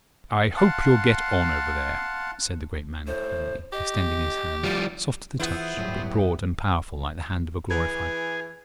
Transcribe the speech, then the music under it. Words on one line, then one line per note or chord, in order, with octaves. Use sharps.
"I hope you'll get on over there," said the great man kindly, extending his hand, soft to the touch, but broad and powerful like the hand of a glorified farmer.
F5 F#5 A5 C6
A2 C5
G4 D#5
F3 G3 D5
E3 B3 E4 F4 G#4 C5
G1 E2 A2 F#3 G4
E3 G#4 G#5